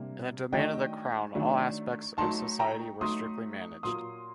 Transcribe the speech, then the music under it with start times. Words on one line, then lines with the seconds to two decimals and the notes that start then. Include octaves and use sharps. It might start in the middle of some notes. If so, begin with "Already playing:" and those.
In the Domain of the Crown all aspects of society were strictly managed.
Already playing: C3 G3 A#3 D4
0.52 D#3 F#3 A3 D4 D#5 G5
1.35 D#3 F#3 A3 D4
2.18 F#3 A3 D#4 A5 C6
2.59 G5 A#5
3.01 F#3 A3 D#4 C6 D#6
3.83 A#2 F#3 A#3 C6 D#6